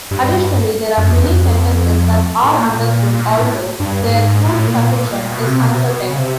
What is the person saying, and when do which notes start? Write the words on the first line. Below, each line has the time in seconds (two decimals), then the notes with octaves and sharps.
Additionally, there are many sentences that are understood although their truth condition is uncertain.
0.11 G2
0.33 G2
0.97 F#2
1.08 F2
1.18 E2
1.28 F2
1.42 F2
2.43 A2
2.57 A#2
2.72 A#2
3.15 A#2
3.37 A2
3.80 G2
4.02 G#2
4.45 A2
4.67 A#2
4.89 A#2
5.00 A2
5.10 A#2
5.32 B2
5.46 C3
5.60 B2
5.74 C3
5.89 B2
6.09 C#3
6.19 C3